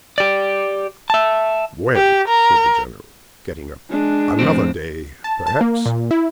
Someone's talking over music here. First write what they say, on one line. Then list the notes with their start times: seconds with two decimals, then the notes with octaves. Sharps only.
"Ah, well," said the General, getting up, "another day, perhaps."
0.18 G4 D5
1.10 E5 A5
1.96 G4
2.28 A#4
3.90 G#3 D4
4.39 F2 A2 C4
5.24 A5
5.47 A5
5.61 A#3
5.86 A#2
6.11 E4